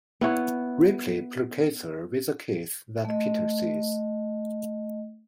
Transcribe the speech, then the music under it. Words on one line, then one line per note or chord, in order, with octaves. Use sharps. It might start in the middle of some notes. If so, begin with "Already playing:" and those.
Ripley placates her with a kiss that Peter sees.
B3 E4 C#5
A3 D#5